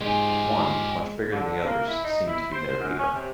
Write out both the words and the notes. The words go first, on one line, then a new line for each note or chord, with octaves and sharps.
One, much bigger than the others, seemed to be their leader.
G#2 G#3 F4 G4 G#4 G#5
D3
A#3
E4
D#4
E4
C5
F#2
C#4
C3